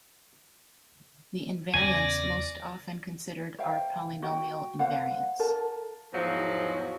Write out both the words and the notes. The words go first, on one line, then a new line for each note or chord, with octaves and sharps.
The invariants most often considered are "polynomial invariants".
E2 C#3 E3 D5 G#5 A#6
C5 E5 F5 G5
F#4 G5
C5 F5 F#5
A4 A#4 A5
E2 G#2 F3 F#3